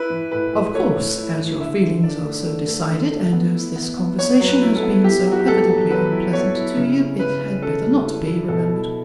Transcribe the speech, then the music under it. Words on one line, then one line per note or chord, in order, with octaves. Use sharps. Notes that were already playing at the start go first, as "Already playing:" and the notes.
'Of course, as your feelings are so decided, and as this conversation has been so evidently unpleasant to you, it had better not be remembered.
Already playing: E4 B4
E3
A2 B4
A2
A3 C#5
A2
E4
E3
D3 E5
D3
D4 D5
A3
A3
A3
D3
A3
B3
E4
B3
B3
B3 C#5
F#3
B4
E4
A4
B3
E4 G4
F#3
F#4
G4
B3 A4
F#3
F#3 B4
E4
B3 C#5
E4
C#3
C#4
C#3 B4
C#4
C#4 A4
G3
E4
E4
B2 A4
E4